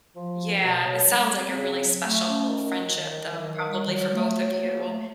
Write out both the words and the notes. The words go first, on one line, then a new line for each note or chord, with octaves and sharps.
Yeah. It sounds like a really special friendship, though, probably for both of you.
F3
A#3
B2
F#3
G3
C4
C#3
F#3
A3
C#4
D#3
F#3
D#3
F#3
D#3
G3
F#3
A3
F#3
A#3
A3